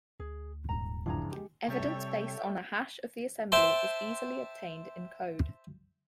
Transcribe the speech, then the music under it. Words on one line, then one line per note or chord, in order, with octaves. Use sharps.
Evidence based on a hash of the assembly is easily obtained in code.
D2 G#4
D#1 G#2 A#5
C#2 G2 E3 F3 D4 G#4 A#5
G#3 G4
C3 G3 A4 C#5 E5 G5
C5 E5 G5 A5 C6